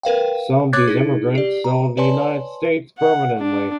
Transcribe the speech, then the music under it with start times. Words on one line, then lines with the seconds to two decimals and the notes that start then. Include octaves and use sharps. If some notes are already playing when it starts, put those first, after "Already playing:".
Some of these immigrants settled in the United States permanently.
0.03 A#4 B4 F5 G5
0.73 C#5 D6 F#6 G#6 A6
0.88 D#4 E4 G#4
1.35 G4 D5
1.64 A#5
1.97 B4 C#5 D5 G#5 A5 C6
2.98 F#5
3.38 D4